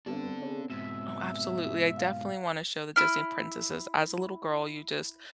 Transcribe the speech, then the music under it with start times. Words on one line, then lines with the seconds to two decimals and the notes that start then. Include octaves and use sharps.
Oh, absolutely, I definitely want to show the Disney princesses. As a little girl, you just
0.06 G2 B3 C4 D4 A4
0.42 C#3
0.70 G#2 B2 E5
1.97 F5
2.96 E4 F6